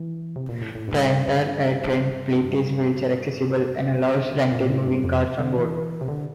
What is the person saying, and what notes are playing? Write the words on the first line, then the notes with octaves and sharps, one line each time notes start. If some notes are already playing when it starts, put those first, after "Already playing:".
The entire AirTrain fleet is wheelchair accessible and allows rented moving carts on board.
Already playing: E3
C3
A#2
A2
A2
G2
G2
A#2
A2
G2
F2
D3
E3
C3
D3